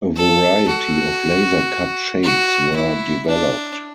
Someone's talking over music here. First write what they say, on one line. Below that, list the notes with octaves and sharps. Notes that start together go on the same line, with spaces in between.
A variety of laser cut shapes were developed.
A4
F#4
F#4
E4
D4